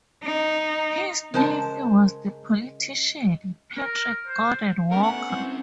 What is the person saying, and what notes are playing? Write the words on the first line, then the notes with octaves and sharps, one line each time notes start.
His nephew was the politician Patrick Gordon Walker.
D#4
C#3 G#3 A#4 C5 A5
A#4
C5
A3 B3 C#4 A#4
F#5
C4 E4 C5